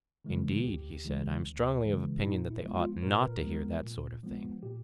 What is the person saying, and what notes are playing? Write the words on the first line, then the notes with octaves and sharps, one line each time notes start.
Indeed, he said, I am strongly of opinion that they ought not to hear that sort of thing.
C#3 E3 G#3
D2 G4
C#3 E3 G#3
D2
C#3 E3 G#3
A#2 D#4
E4
F3 G#3 B3
F4
A#2 A#4
B4
A#4
F3 G#3 B3
A#2
F3 G#3 B3
A#2 G4